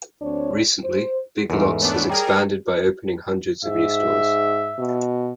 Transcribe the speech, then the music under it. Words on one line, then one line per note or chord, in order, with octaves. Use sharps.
Recently, Big Lots has expanded by opening hundreds of new stores.
D2 C4 D4 C#5
C5
E2 G#2 A4 A#4 E5
A3 B3 D4 C#5
G3 G#4 A#4 G5 A#5
G#2 E5
B2